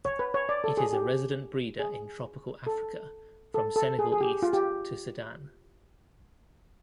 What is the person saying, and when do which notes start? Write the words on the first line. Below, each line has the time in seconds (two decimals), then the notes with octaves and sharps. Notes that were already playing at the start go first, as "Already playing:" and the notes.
It is a resident breeder in tropical Africa from Senegal east to Sudan.
0.05 C#5
0.19 B4
0.34 C#5
0.49 D5
0.64 A4
0.77 G#4
0.93 G4
1.79 G#4
2.67 A4
3.54 A4
3.76 A4
3.99 G#4
4.12 G#4
4.21 G4
4.43 F4
4.53 G4